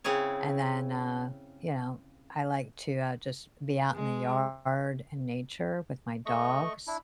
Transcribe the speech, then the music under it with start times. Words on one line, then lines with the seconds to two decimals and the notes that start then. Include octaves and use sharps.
and then, uh, you know, I like to, uh, just be out in the yard and nature with my dogs,
0.04 C#3 C4 E4 G#4 C#5
3.95 G#3
6.26 A3 D#5 C#6
6.87 D4 E4